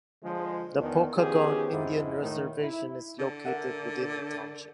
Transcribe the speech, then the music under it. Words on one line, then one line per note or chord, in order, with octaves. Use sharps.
The Pokagon Indian Reservation is located within the township.
D3 F3 G#3
E2 D#3 D4
D#3 F3 B3 C#4 G4 G#4
F2 G#2 E4
A2 D#3
E4
D3
A#4 E5 F#5